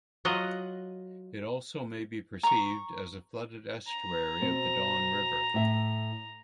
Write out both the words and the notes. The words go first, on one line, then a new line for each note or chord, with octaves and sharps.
It also may be perceived as a flooded estuary of the Don River.
F#3 F4 D#5 F#5
A#5 C#6
A#5
B2 C4
A2 E5